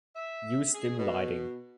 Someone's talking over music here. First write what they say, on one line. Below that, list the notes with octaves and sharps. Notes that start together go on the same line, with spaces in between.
Use dim lighting.
E5
G#4
B2